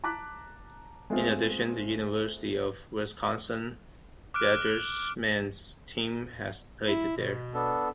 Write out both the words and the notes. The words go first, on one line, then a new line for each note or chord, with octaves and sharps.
In addition, the University of Wisconsin Badgers men's team has played there.
A5 A#5 D6 F#6 B6
G#3 A3 B3 C4 F4 G#4
D6 F6 F#6 D7
E4
B2
B3 D4 A4